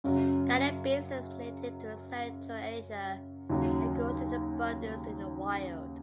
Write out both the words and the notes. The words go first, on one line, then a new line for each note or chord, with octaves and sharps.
Cannabis is native to Central Asia and grows in abundance in the wild.
F#2 C#3 F#3
D#2 C#3 F#3